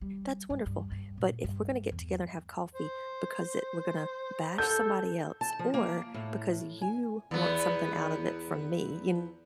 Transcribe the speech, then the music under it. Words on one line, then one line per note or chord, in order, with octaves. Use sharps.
that's wonderful, but if we're gonna get together and have coffee because it we're gonna bash somebody else or because you want something out of it from me, you
G3
G2
G2
G2
A#2
G2
E2
C5
A4 G6
A5
F3
A#3
A2
G#5
E2 B3